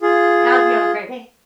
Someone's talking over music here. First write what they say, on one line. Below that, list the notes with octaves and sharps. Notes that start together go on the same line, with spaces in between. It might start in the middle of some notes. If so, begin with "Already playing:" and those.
I hope you have a great day.
F4 G#4